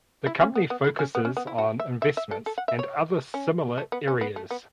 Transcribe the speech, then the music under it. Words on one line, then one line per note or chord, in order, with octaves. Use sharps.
The company focuses on investments and other similar areas.
E4
C#4
B3
B3
E4
C#4
B3
C#4
B3
E4
F#4
E5
E5
E5
A4
A4
F#5
E5
C#5
C#4
A3
B3
C#4
B3
A3
B3